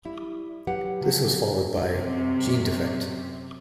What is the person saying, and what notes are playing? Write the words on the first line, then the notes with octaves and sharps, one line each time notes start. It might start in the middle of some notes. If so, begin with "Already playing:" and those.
This was followed by "Genedefekt".
G3 E4
F#3 G4 B4 F#5
C#3 F3 F#3 F#4 G4
F#2 C3